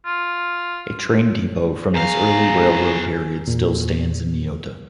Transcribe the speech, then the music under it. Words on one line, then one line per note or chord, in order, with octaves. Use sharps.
A train depot from this early railroad period still stands in Niota.
F4
E2 G#4 F5 A#5
E2 A#2